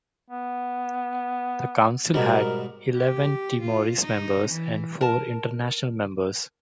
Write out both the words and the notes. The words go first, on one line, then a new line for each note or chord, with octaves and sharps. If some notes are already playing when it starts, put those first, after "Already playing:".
The Council had eleven Timorese members and four international members.
B3
G#2 B2 G3 A#4
G4
F4
D#4
E3
A#4 A5